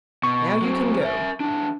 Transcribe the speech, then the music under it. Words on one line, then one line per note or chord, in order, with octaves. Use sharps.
"Now you can go."
B2 C#6
F#3 C4
A#4 E5
E2 D4